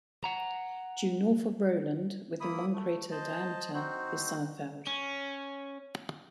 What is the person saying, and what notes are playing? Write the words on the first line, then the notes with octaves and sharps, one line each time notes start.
Due north of Rowland, within one crater diameter, is Sommerfeld.
F#5 A#5
A#3 E4 B5 D#6
A3
C5 D#5 A5
C4 D#4 F#4 C5
C#4